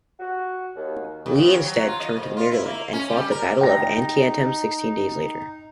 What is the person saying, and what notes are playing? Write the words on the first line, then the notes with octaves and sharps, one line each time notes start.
Lee instead turned to Maryland, and fought the Battle of Antietam sixteen days later.
F#4
D#2
D#2
C#5
F#3
F4
D#5
G#2
F4
E4
A#3
C#4
G3
A#4
D#4 G5 A#6